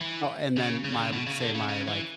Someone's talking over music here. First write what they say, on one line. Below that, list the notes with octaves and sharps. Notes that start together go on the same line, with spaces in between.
Oh, and then my I would say my, like,
E3
C#3
C#3
D3
C#3
B2
C#3
D3
C#3
C#3
E3